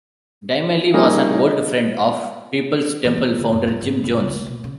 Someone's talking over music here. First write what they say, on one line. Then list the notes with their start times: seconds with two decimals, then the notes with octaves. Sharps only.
Dymally was an old friend of Peoples Temple founder Jim Jones.
0.94 G3 A#3 C#4 D#4 G#4
1.38 D#5
3.05 E3
3.18 E4
3.39 D3
3.53 F#2
3.68 F4
3.81 G#2
4.04 F#1
4.20 C#2
4.34 D2
4.46 B2
4.64 C#3